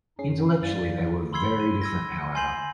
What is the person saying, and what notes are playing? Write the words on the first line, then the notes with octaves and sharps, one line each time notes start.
Intellectually they were very different, however.
F#2 C#4 D#4 G#4 C7
F#2 D5 F5 A6
B5 C6 E6 G#6 C7 G7
D#7
E6 G#6 A#6
G#5 C6 G6 C7 E7 F#7